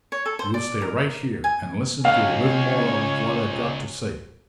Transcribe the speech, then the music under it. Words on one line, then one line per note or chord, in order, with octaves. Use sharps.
You'll stay right here and listen to a little more of what I've got to say.
C#5
A4
C5
D5
A#4
G#5
C#2 C#5 F5 G#5